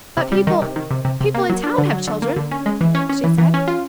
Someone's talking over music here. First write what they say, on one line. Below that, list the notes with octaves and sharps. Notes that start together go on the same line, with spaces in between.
"But people--people in town have children!" she said.
C3
G3
D#3
C3
D#3
C3
C3
C3
A#3
F#3
D4
D3
F#3
D3
A#3
D3
C#4
G#3
E3
C#4
C#4
E3
E3
C#4
F4